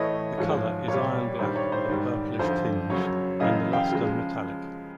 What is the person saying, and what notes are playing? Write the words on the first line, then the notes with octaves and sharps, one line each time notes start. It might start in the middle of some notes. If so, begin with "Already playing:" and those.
The color is iron-black with a purplish tinge, and the luster metallic.
Already playing: A2 E3 A3 C#5 D#5
G#2 F3 G#3 C#5
A#2 G3 C#5
G2 D#3 G3 C5
C#5
C5
G#2 D#3 G3
F2 D3 F3 C5
F#2 C#3 F#3 C#5
F#2 C#3 E3 D#5 F5
F5 G5
C#3 F3 G#3